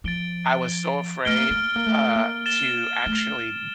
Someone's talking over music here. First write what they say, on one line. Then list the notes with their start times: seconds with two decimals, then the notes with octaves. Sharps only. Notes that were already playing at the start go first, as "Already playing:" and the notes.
I was so afraid, uh, to actually d
0.04 F3 A6 D7 G7
1.25 A3 F6 A6 D7 G7
1.38 A#3
1.51 A3
1.76 A#3
1.86 A3
2.16 A#3
2.46 A6 E7 G7
3.06 A3